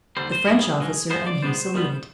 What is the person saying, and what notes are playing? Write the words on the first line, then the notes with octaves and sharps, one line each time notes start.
The French officer and he saluted.
D#2 D3 G3 C5
C5
G#2 G3 B3 G#4
B1 B2 G#3
G2 F3 G#3 B3 C5
D5
C2 B2 G#3 B3 C5
D#2 D#3 G3 B3